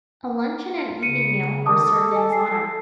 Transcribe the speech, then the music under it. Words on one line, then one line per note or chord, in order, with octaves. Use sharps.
A luncheon and evening meal were served in his honor.
F4
C#3 C#7 D#7
D#3 A5 D6 D#6
A4
D#5 G#5
C7